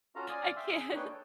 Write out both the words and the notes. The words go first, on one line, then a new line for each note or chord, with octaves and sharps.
I can't.
C#4 F4 F#4 A4 F5 A#5
D5 F5 G#5 D#6
E5 F5 G5 C6 E6
G#4
A#3 D4 D#4 B4 C#5 G5
A4